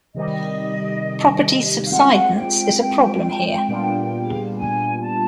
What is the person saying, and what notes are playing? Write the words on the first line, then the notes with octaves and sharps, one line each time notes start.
Property subsidence is a problem here.
C3 D#3 G3 D#5
F5
G#3 C4 F4 F#5
G5
G5
A#2 G3 B3 D4 F4
G#5
A5